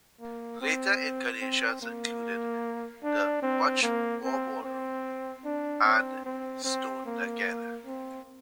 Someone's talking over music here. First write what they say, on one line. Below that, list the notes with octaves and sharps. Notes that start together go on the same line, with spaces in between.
Later incarnations included the Much More Ballroom, and Stoned Again.
A#3
C4
C4
A#3
D4
C4
A#3
C4
C4
D4
C4
C4
C4
A#3
C4